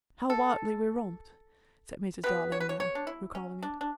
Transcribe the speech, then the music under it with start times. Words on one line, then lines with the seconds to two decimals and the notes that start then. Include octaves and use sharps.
"How wildly we romped!" says Mrs. Darling now, recalling it.
0.30 A4
2.23 B2 G3 B3 B4
2.52 C#5
2.60 B4
2.69 C#5
2.80 C#5
2.95 D4
3.07 E4
3.35 C#4
3.63 D4
3.81 D4